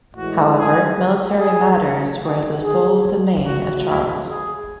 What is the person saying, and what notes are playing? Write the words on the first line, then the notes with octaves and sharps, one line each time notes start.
However, military matters were the sole domain of Charles.
A2 E3 G#3 F#4
G#4
G#4
C#3 F#3 A3
G#4
G#4
C#3 F#3 A3 F#4
E4
G#4